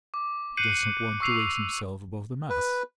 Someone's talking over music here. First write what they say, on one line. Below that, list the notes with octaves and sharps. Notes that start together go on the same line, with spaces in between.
He does not want to raise himself above the mass.
D6
F#6 G6 C7 C#7 D#7 F#7
C#6 E6 C7 F7
B4